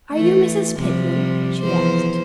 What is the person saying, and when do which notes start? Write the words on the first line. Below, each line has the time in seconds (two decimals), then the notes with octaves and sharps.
"Are you Mrs. Pitman?" she asked.
0.13 E3 A3
0.77 C3 F3 G3
1.62 E2 F3 C5